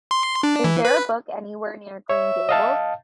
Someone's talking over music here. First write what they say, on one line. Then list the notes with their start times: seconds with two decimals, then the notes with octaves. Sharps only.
Is there a brook anywhere near Green Gables?
0.11 C6
0.43 D4
0.64 E3
0.85 B4
2.09 C#5 E5
2.49 D#5 F5 A5